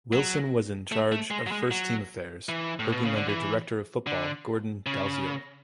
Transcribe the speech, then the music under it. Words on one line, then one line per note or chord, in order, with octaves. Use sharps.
Wilson was in charge of first-team affairs, working under Director of football, Gordon Dalziel.
F#3
A3
A3
G#3
F#3
G#3
F#3
E3
A2
B2
C#3
D3
E3
D3
C#3